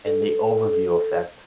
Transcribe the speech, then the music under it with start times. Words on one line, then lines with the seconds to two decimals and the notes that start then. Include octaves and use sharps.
And the overview effect
0.05 A4